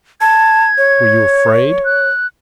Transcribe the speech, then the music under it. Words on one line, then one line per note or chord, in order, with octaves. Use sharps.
"Were you afraid?"
A5 G#6
C#5
F#6